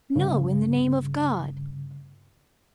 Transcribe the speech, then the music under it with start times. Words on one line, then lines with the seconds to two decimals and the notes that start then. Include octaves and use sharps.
No, in the name of God!
0.16 G2 C#3